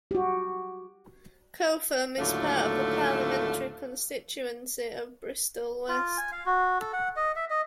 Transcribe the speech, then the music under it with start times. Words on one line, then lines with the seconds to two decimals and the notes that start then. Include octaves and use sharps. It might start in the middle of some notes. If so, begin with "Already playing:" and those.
Cotham is part of the parliamentary constituency of Bristol West.
0.11 F#4 G4
2.18 D#2 A2 D3 F#3 A3 F4
5.89 F4
6.18 G#5
6.32 F5
6.46 F#4
6.81 A4
6.93 F#5
7.16 D#5
7.36 E5
7.50 D#5